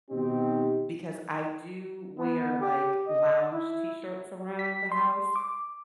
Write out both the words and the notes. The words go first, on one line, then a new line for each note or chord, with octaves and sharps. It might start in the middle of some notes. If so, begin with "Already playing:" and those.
because I do wear, like, lounge t-shirts around the house,
B2 D#3 C4 D#4 F#4 G4
B3
G4
D#5
E4
B6
C6
D6